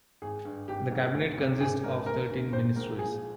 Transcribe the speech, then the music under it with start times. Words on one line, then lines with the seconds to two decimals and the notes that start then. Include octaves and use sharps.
The Cabinet consists of thirteen ministries.
0.22 G#1 G#4
0.45 G2
0.68 G#1 G4
0.91 G#2
1.14 D2
1.38 C3
1.60 G#1 G#4
1.83 G#2 A#4
2.06 D2 A#4
2.30 D3
2.52 G#1 C5
2.75 G#2 A#4
2.98 F3 G#4